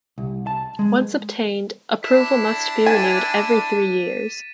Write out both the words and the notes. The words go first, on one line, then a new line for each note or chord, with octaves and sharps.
Once obtained, approval must be renewed every three years.
C2
A5
G#3
D4 E4 B6 E7
G#5 A6 D#7